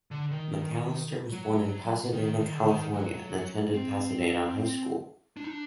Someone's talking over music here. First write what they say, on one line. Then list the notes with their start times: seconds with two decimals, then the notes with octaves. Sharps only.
McAlister was born in Pasadena, California, and attended Pasadena High School.
0.11 D3
0.31 D#3
1.32 F#3
2.13 D#3
2.40 D#3
2.55 D3
2.67 D#3
2.94 F#3
3.74 C4
5.37 D4
5.44 D#4
5.51 D4